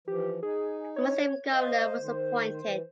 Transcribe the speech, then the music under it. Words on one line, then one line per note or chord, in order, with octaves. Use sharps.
A Muslim governor was appointed.
E3 F3 G4
D#4 G#4
C#5
C5 D#5 F5
D#3
E3